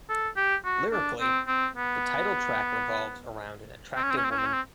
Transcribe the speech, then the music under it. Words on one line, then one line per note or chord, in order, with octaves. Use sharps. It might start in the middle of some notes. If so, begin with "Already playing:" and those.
Lyrically, the title track revolves around an attractive woman.
A4
G4
F#4
D4
C4
C4
B3
C4
C#4
C4
C#4
C4
C#4
C4
C#4
C4